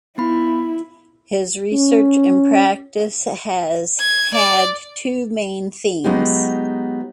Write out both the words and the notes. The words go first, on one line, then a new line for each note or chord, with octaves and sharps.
His research and practice has had two main themes.
B3 E4 B5
C#4
G#6
D5
F#3 G#3 B3 D#4 F4 G4